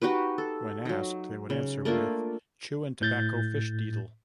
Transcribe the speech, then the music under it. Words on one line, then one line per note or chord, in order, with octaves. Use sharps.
When asked, they would answer with "Chewin' Tobacco Fish Deedle".
D#4 F#4 G4 B4
A4
F#3 D#4
C#3
A3 A#3 D4 F4
A2 G6 A6